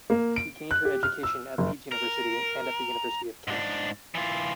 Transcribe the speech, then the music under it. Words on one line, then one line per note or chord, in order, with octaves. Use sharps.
She gained her education at Leeds University and at the University of Kent.
A#3
D7
F#6
G4
F6
E6
F#1
A#4
G#2 D4
E3 F4